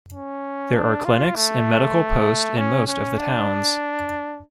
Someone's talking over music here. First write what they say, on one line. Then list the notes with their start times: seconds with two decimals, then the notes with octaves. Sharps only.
There are clinics and medical post in most of the towns.
0.14 C#4
0.75 D4
1.05 F4
1.35 A3
2.57 C#4
2.87 C#4
3.18 D4